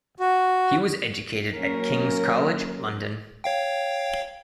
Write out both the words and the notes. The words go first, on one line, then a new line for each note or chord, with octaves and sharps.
He was educated at King's College London.
F#4
F#3 A#3 C#4 A#4
C#5 F5 G5